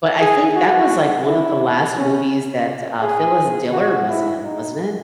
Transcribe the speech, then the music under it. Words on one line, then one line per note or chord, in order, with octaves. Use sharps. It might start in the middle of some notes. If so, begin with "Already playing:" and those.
but I think that was, like, one of the last movies that, uh, Phyllis Diller was in, wasn't it?
G#4
F#4
E4
C#4
G#4
F#4
E4
D#4